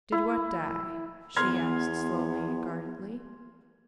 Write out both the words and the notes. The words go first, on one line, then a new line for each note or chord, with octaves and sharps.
"Did what die?" she asked slowly and guardedly....
E4
E2 B3 C6 F6 G#6